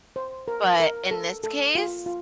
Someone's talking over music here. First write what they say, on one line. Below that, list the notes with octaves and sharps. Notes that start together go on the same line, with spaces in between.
But in this case,
C5
A#4
A#4
A4
A4
F4
F4